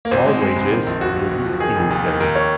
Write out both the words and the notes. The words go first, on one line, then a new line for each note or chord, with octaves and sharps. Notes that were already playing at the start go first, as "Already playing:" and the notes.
Small wages. Will eat anything.
A#3
G#1 C4
G#3
G#3
C2
D#3
A#1
D#2 F#4
D#2
F#1
F3
D#3 G#4
F1
D#2
D#3
D#2 A#4
C#5